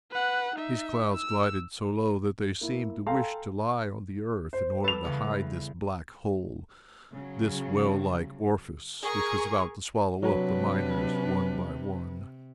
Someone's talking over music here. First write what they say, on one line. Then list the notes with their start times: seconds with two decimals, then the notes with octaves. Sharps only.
These clouds glided so low that they seemed to wish to lie on the earth in order to hide this black hole, this well-like orifice which was about to swallow up the miners one by one.
0.11 B4 F#5
0.56 D#4 E5
1.14 E6
2.61 A#3 E4
3.07 A4 F5 G5 G#5 A#5 C6
4.53 C5
4.84 G3 A4 B4 F7
5.05 E2 C#3
7.12 C#3 F#3
9.03 G#4 A#4 C#6
10.23 C3 F#3 D4 B4